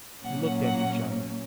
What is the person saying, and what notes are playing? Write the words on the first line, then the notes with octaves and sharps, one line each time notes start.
We looked at each other.
A#2 F#3 A#3 C#4 F#5
F#5